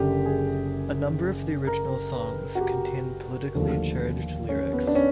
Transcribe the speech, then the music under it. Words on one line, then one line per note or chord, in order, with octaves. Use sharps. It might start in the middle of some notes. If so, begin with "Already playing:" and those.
A number of the original songs contain politically charged lyrics.
Already playing: F#1 F#2 D3 G4
G#4
A#4
B4
F#4
G4
D#2 D3 F3 A3
C#4
B3
D4
C#4